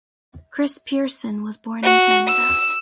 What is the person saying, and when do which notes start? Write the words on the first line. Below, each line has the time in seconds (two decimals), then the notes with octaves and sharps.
Chris Pierson was born in Canada.
1.83 F#4
2.27 E6